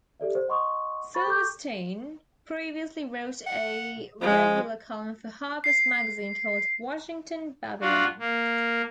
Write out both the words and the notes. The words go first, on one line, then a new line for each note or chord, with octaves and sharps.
Silverstein previously wrote a regular column for "Harper's Magazine", called "Washington Babylon".
G4 A4 D5 E5
C5
D#5 F#5 C6 C#6 D#6
C5 B5 C#6 A6
A4 C#6 D6 G6
F#5
F3 G#3
C7
D4 F4 F#4
A#3